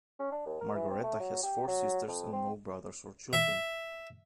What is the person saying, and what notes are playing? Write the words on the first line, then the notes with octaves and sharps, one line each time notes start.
Margareta has four sisters and no brothers or children.
C#4
D4
D#2
A#4
E3
C4
A3
F#3
G4
F#3
F2
C4
E5